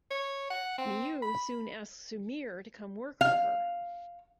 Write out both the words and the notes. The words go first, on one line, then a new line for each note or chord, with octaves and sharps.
Miu soon asks Sumire to come work for her.
C#5
F#5
C4
B5
F5